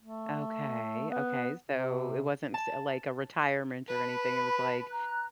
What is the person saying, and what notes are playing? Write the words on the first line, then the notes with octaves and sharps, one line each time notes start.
Okay, okay, so it wasn't s like, a retirement or anything? It was like,
A3
B3
C3
A5
B4 A5 B5
A#5 F#6